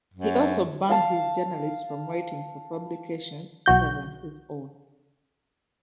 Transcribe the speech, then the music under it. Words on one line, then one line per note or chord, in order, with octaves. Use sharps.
He also banned his journalists from writing for publications other than his own.
F#2
F5 A5
B1 F#4 G6